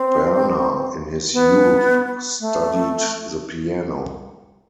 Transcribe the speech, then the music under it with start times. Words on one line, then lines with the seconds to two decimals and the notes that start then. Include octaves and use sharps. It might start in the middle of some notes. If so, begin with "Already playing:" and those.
Berner, in his youth, studied the piano.
Already playing: C4
1.33 B3
2.40 A3